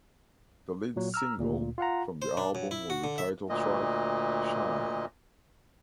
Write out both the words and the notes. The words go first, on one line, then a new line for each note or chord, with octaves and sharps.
The lead single from the album was the title track, "Shine".
A#2 F#3
A#5 E6 F6
D2 A#2
F4 F5 F#5 A#5
C5
D4
F#2
E4
F#4
D3
E5
D2 A#2 D#5